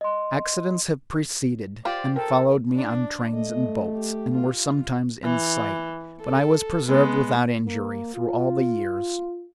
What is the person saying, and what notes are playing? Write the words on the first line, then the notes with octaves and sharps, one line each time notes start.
Accidents have preceded and followed me on trains and boats, and were sometimes in sight, but I was preserved without injury through all the years.
D#5 C6
F4 G4 C5 D5
A4 A#4 G5
D4
A3 D#5
G4
F4
E3
A4
G#3 B3
A#3
F4